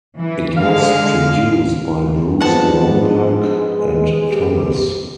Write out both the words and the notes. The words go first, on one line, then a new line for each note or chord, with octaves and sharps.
It was produced by Bruce Bromberg and Thomas.
E3
D3 G#3 F5
F3 G#3 B3 C4 D4 F#5 A5
G4